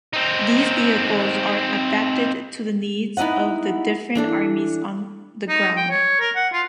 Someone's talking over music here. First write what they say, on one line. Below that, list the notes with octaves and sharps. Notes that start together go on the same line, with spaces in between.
These vehicles are adapted to the needs of the different armies on the ground.
C4 D#4
B3 D#4 E4 D#5 F#5
E3 D4 A4
D#4
G5
C#5
A#4
F#5
F4